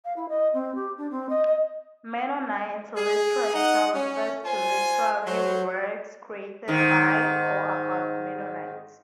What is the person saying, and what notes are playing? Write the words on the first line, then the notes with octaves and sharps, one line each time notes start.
Mennonite literature refers to literary works created by or about Mennonites.
F5
E4
D#5
C4
G4
D4
C4
D#5
D#5
G#4
D#4 F#5
C#4
F4 C5 G#5
F#3 C5
G#2 D#3